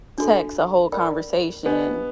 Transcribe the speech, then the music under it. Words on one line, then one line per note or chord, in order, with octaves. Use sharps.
text a whole conversation
D4 F#4 A4
A#4 D5 G5 B5
B3 D4 G4 C5 D#5 G5